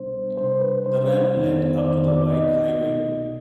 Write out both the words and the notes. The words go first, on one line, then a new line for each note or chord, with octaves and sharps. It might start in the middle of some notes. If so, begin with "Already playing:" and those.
The ramp led up to the wide highway.
Already playing: C2 B2 G3 B3 D4 C5
C3 G3 D4 C5
B4
C3 G3 D4 C5
F2 D#3 B3 D#4
D5
F2 D#3 B3 D#4 C5
D5
D5
C2 B2 B3 D#4 D#5
C2 B2 B3 D#4